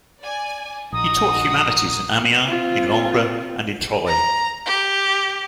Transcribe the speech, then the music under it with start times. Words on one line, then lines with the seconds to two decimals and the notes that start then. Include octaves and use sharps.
He taught humanities in Amiens, in Langres, and in Troyes.
0.23 D5 G#5
0.92 A#1 D#4 F#4 D#6
2.47 C4 F4
4.07 A#5
4.66 G4